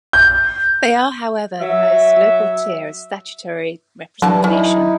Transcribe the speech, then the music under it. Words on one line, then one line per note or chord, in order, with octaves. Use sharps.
They are however the most local tier of statutory representation.
G6
F#3 E5
E3 F#3 G3 D4 E4 A5
C#4 D#4 E4